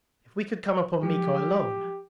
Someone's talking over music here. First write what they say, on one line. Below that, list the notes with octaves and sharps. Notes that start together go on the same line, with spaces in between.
If we could come upon Miko alone!
F3 F#3 G#3 G4